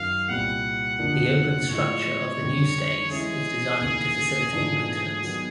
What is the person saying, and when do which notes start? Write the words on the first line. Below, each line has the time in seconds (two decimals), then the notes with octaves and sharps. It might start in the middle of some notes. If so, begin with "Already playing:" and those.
The open structure of the new stays is designed to facilitate maintenance.
Already playing: F#2 D#3 F#3 F5
0.28 C2 A#2 G3 C4 F#5
0.99 F2 D3 F3 A#3 D4
1.70 A2 F3 G#3 C#5
2.40 F2 D3 G3
3.11 E3 G#3 C#4 E4 G#4
3.81 D#2 C#3 E3
4.52 G#2 E3 A3 D4 F4
5.23 D#3 F#3 B3